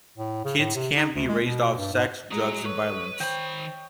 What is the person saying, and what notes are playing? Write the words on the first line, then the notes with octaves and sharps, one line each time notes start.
Kids can't be raised off sex, drugs and violence.
A2
C#3
A2
C3
D#4
D2
G#3
B2
G2
G#2
G#3 F#4 D#5 A#5
A4 B4 C#5
D#3 C5 G5 B5